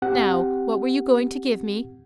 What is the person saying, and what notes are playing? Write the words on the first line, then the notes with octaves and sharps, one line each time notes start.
Now, what were you going to give me?
C4 G4 F#5